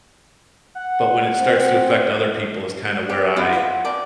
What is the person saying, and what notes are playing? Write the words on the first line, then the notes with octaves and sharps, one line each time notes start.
but when it starts to affect other people is kinda where I
F#5
C4
G4
E4 F#4 B4 C5
F4 E5 F#5
D5 G5 A5